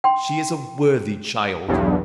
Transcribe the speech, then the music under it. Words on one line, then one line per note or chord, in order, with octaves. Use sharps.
She is a worthy child.
G5 C6
B1 E2 G2